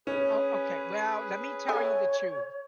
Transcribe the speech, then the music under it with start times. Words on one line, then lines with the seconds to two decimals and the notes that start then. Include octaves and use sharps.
Oh, okay. Well, let me tell you the truth.
0.07 C#4 G#4 B4
1.69 A4 C#5 E5 G#5